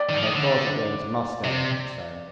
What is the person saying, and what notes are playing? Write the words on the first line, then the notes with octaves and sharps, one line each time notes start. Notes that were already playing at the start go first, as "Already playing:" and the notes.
"I had thought of going to Moscow," she said.
Already playing: D5
D#3
F3
D#3
D3
C3